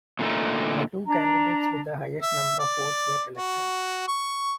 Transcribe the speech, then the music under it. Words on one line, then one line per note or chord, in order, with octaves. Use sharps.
The two candidates with the highest number of votes were elected.
A#2 D3 A3 D#4
D4 A#5
E5
D5
F#4
C#6